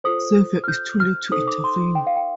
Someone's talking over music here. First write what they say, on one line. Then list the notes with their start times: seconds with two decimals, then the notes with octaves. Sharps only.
Xavier is too late to intervene.
0.04 F4 A4 C5 D#6
0.64 F6
0.68 G6
1.00 F6
1.32 D#4 A4 C5 D#6
1.48 D6
1.64 C6
1.95 G5
2.07 F5
2.16 G5